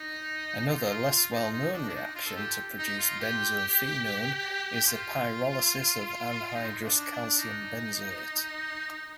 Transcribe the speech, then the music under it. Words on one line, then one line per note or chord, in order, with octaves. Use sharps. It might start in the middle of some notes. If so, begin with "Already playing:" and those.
Another, less well-known reaction to produce benzophenone is the pyrolysis of anhydrous calcium benzoate.
Already playing: D#4
F4
F4
F4
D#4
D#4
D4
D4
D#4
F4
A4
G4
D#4
F4
G4
F4
D#4
D4
D4
D#4